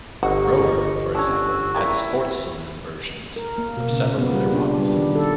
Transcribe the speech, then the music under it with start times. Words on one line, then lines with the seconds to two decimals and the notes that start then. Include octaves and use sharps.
Rover, for example, had Sports Saloon versions of several of their models.
0.23 G1 A#3 F#4 D#5 C#6
1.15 C#4 D4 F#4 E6
1.75 C#3 G3 A#3 E4
3.36 A#4
3.58 A#3
3.77 B2
3.90 C#3
4.04 A#2
4.18 B3
4.33 G3
4.52 D4
4.78 G3
4.96 D#3
5.15 A4